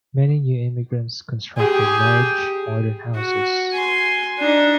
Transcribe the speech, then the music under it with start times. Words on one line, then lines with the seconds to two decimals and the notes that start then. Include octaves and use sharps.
Many new immigrants constructed large, modern houses.
1.57 G4 G#4
3.15 F#4
3.72 G#5 C6
4.38 D4 D#4